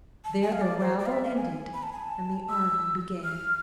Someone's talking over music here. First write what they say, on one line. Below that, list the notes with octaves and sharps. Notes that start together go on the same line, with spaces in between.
There the rabble ended and the army began.
A5
G#5
F5
D5
C5
D5
F5
E5
F5
G#5
B5
A5
G#5
A5
E6
F6